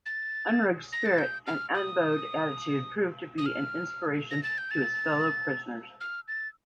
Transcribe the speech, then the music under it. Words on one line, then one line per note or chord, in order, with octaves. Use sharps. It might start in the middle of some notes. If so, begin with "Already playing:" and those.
Unrug's spirit and unbowed attitude proved to be an inspiration to his fellow prisoners.
A6
A#6
A6
G6
F6
D#6
D#6
F6
A#6
A6
G6
A6
F6
A6